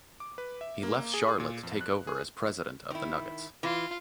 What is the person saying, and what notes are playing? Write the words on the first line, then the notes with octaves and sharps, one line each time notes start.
He left Charlotte to take over as president of the Nuggets.
D6
B4
E5
A#3
A#3
G#4
A#2
F2
F#6
G#4
D#3 E4
E3 F4